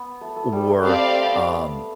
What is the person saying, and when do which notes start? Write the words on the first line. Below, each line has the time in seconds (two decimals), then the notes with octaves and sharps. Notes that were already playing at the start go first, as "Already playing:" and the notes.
or, um,
Already playing: B3
0.21 A3
0.36 A3
0.52 G3
0.68 A3
0.84 G3 C4 G4 D5 F5
1.05 A3
1.26 B3